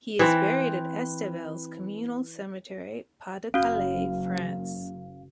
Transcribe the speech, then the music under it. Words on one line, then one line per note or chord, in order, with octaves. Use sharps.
He is buried at Estevelles Communal Cemetery, Pas-de-Calais, France.
E3 C4
F#1 C#4 F#4 F5